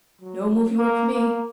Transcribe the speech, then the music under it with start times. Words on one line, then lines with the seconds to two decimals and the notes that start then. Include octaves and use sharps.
No movie work for me!
0.21 F#3
0.76 A#3
1.13 A#3